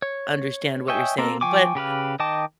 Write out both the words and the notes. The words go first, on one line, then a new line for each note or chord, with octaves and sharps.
understand what you're saying, but
C#5
C#5 D#5 E5 G5 G#5
A#3 C4 A4 A#4
F3 G5 G#5 C#6 D6
C#3 G4 B4 F5
D#3 D#5 G5 A5 D6